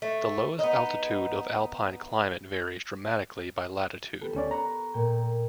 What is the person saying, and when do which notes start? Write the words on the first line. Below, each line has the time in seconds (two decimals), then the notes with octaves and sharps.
The lowest altitude of alpine climate varies dramatically by latitude.
0.02 A3
0.59 B3 D#4
4.21 B3 G4 A4
4.35 D2 C#4 D5
4.51 A#5 B5 C#6 F#6
4.94 A#2 G5